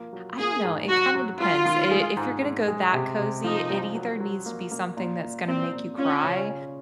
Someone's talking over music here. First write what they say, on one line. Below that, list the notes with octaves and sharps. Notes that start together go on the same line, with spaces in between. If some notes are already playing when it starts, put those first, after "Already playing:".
I don't know, it kinda depends. I if you're gonna go that cozy, it either needs to be something that's gonna make you cry
Already playing: F3 A#3
F#3
A#3 G#4
G#2
F#3 F#4
F#3
F#3 F4
D#3
G#3
G#2
G#2
G#3
C3
C3
F3 D#4
C2
F#3
F#3
A#3
A#3
A#2
A#2
A#2 C4
A#2
C#4 F4
C#3
C#4